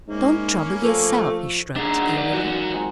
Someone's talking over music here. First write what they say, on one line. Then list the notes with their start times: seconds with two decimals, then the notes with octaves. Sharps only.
"Don't trouble yerself," he shrugged airily.
0.08 G#2 A#3 C#4 E4
0.82 F3 A3
1.76 D4 D#4 G#4 F#5
2.00 D#3 F#3
2.17 B4 D5
2.33 E3 F#3 F#4
2.73 G#3 C4 G#5